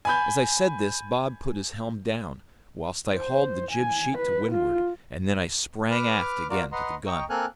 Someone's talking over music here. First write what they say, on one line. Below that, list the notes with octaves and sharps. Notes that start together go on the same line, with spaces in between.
As I said this, Bob put his helm down, whilst I hauled the jib-sheet to windward, and then I sprang aft again to the gun.
G#5 B5 G6
C5
G#5
B4
F4
B4 D6 F6
F4 F#4 A#4 D5 D6
B4 D#5 F#5 A#5 C6
D#5 G5 A#5 C#6
A#3 C4 A4 G#5 F6 F#6